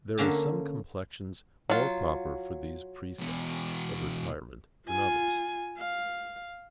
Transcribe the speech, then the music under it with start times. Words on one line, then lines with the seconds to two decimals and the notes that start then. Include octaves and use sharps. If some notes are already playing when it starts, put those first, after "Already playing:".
There are some complexions more proper for these precepts of retirement than others.
0.18 D3 A#3 C#4 A5
1.70 F#3 F4
3.20 E2 B2
4.87 F4 G#5
5.78 F5